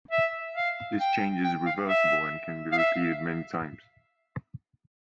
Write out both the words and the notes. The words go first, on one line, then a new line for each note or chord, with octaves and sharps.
This change is reversible and can be repeated many times.
E5
F5
G5
G5
F5
E5
F5
E5